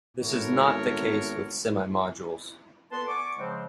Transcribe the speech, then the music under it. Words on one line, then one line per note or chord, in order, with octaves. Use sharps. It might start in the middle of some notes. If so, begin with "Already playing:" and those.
This is not the case with semimodules.
G#1 A3 B3 A#4 C#5
A#2 B3 A4 B4 A5 C6
B3 D5 G#5 C#6 D6
C#3 F3 G#3 C4